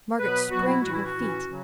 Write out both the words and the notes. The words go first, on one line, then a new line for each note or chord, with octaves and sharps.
Margaret sprang to her feet.
B2 F#3 B3 B4
B2 F#3 B3 F#4
E4
A2 E3 C#4 F#4
E4
F#4
A2 E3 C#4
C#3 F#3 C#4